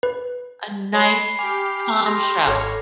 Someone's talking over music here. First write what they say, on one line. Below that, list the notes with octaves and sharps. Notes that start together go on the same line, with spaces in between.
a nice, calm, show.
B4
C#5 B5 C7
G4 G#5 D6 F6
C6 A#6
G#1 A4 C#5 F6